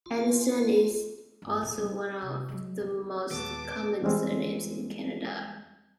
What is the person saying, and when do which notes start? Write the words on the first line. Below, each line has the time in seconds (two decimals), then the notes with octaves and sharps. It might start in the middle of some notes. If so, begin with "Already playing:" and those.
Anderson is also one of the most common surnames in Canada.
0.06 G#1 F4
1.42 G2
1.62 A#2
1.77 G3
2.22 C3
2.49 F#3 G#3
2.81 D2
3.30 D#2 A#2 D#3 G#3 B3 A5 D6
4.02 E2 G3 G#3 C4